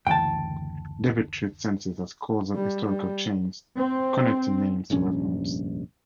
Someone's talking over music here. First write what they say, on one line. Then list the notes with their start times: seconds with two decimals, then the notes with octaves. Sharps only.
Devitt treats senses as causal-historical chains connecting names to referents.
0.07 F#1 D2 E3 G5 A5
2.55 G3
2.85 G3
3.77 C4
4.90 F1 A#1 G2 C#4